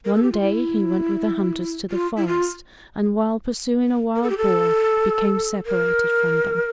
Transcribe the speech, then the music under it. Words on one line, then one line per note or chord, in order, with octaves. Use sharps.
One day he went with the hunters to the forest, and while pursuing a wild boar, became separated from them.
A#4
A4
G4
F4
E4
F4
E4
F4
A#4
A4
G4
A4
A#4